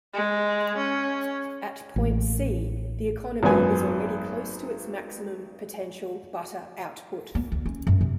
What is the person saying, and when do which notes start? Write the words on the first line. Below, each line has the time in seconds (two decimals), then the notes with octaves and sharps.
At point "C", the economy is already close to its maximum potential butter output.
0.14 G#3
0.77 C#4
1.96 A1
3.43 G#1 F#2 B3 G#5
7.35 B3
7.52 D2
7.66 C#4
7.87 F#2
8.01 C3